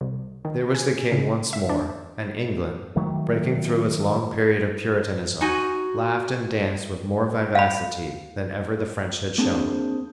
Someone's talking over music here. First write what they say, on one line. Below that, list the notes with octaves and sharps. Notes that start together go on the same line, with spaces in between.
There was the king once more; and England, breaking through its long period of Puritanism, laughed and danced with more vivacity than ever the French had shown.
C2
D#3
G#5
C#3
E5
D4
D#3 F#3 A3
D#4 F#4 G#5
F5 B5
A#3 C4 D4 G#4 C5